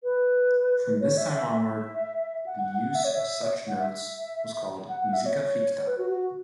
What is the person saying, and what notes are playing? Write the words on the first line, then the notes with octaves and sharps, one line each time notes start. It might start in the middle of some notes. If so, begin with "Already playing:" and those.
From this time onward, the use of such notes was called musica ficta.
B4
C#5
E5
E5
E5
F#5
F#5
F#5
E5
C#5
E5
C#5
F#5
E5
F#5
F#5
E5
C#5
B4
F#4
F#4